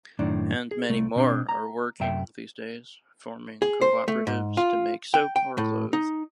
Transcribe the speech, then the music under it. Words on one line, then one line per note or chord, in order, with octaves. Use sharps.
And many more are working these days, forming co-operatives to make soap or clothes.
F#2 A2 D#3 D4
G#4
C2 A3
B2 C4 D4
A#5
F#2 C3 E5 G5
G#4
C5
A3
G#2
F4
G5
G5
A2
D#4